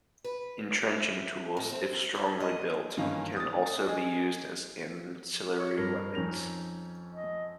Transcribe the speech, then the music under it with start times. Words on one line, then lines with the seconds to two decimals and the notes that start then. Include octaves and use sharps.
Entrenching tools, if strongly built, can also be used as ancillary weapons.
0.24 B4
0.82 E4
1.57 A2
1.72 C4
2.15 A4
2.40 D#5
2.97 G2 D#3 E3 A#3 C#4
3.36 D#6 A6
3.86 G#4 D#5
5.58 C#5
5.78 G2 A#4
6.15 F2 C#4 D#4 F7
7.12 D#5